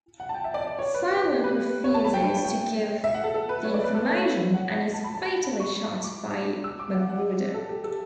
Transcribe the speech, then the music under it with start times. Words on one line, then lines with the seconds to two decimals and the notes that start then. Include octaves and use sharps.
Silook refuses to give the information and is fatally shot by MacGruder.
0.20 F#5
0.29 A5
0.34 G5
0.44 E5
0.54 D5
0.65 D5
0.79 C#5
0.94 B4
1.09 G4
1.24 G4
1.44 B4
1.84 C#5
1.94 A5
2.04 B5
2.14 G5
2.45 G5
3.04 E5
3.14 F#5
3.24 A4
3.34 A4
3.49 B4
3.65 C#5
3.74 D5
3.84 B4
3.94 A4
4.09 C#5
4.54 F#5
4.69 F#5
4.94 A5
5.04 B5
5.14 A5
5.44 B5
5.60 C#6
6.04 D6
6.64 E6
6.79 D6
6.94 F#5
7.09 F#5
7.54 A4
7.69 G4
7.84 A4